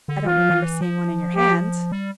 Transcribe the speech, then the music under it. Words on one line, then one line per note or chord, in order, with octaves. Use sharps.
"I don't remember seeing one in your hand."
D3
E3 F4
F3
E3
F3
G4
G3